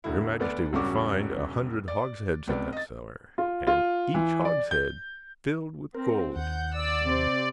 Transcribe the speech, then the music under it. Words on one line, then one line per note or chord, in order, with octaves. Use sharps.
"Your majesty will find a hundred hogsheads in that cellar, and each hogshead filled with gold."
E1 D3 E4
D2 B3 D5
E1 G2 C#3 C#4 F#4 D6
D5
C#2 C3 B3 D5
D#5 A6
F4
F4
E3
D5
G6
C4 A#4
D#2 F#5 G6
D5 E6
C3 C4